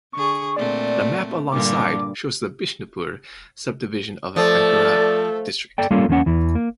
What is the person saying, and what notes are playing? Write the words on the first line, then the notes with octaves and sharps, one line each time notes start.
The map alongside shows the Bishnupur subdivision of Bankura district.
D3 G#4 C#6
A#2 A3 C4 D5
G2 A#2 D3 D6
F3 A3 A4 D5
A4 D5 G5
G3 A#3 C#4 F4 A4
E2 B2 A#3 C#4 F#5
E2 E3
A#3